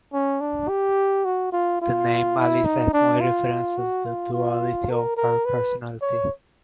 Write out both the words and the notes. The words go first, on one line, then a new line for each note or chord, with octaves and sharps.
The name "Alice et Moi" references the duality of her personality.
C#4
D4
G4
F#4
F4
F4
E4
D#4
D4
F4
F#4
F4
F4
A#4
A#4
B4
C#5